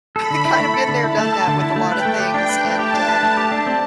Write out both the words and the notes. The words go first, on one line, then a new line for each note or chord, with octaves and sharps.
I kinda been there done that with a lotta things and, um,
A4 B5
D3
E4
A3
A4
D3
E4 A5
A3
A4
D3
E4
A3
B4 G5
A3
G4
D4 G5
B4
A3
G4 A5
D4
B4
A3
G4
D4
C4